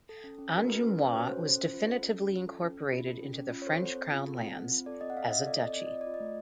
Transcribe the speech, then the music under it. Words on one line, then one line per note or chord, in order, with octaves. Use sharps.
Angoumois was definitively incorporated into the French crown lands, as a duchy.
A4
C#4
C#4
F#4 A#4
A4 B4
C#4
C#4 B4
F#4 C#5
A4 C5
C#4
C#4
F4
A4
C#4
C#4
F4
A4
C#4
C#4
F4
A4
C#4
C#4
F4
C#5
A4 C5
C4
C4
F4
A4
C4
C4
F4
A4 D5
C4 D#5
F#5
C4 F5
E5
F4 D#5
A4 D5
C4 D#5
C4 D5
F4 D#5
D5
F4
D#5
A3